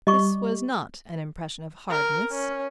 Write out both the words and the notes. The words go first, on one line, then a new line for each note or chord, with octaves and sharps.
This was not an impression of hardness.
G3 D#5 C#6 D6
A#4
C#4